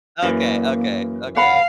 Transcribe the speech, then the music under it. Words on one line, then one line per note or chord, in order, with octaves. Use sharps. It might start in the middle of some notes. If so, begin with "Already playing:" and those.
Okay, okay, okay.
F#2 E3 A#3
F5 F#5 B5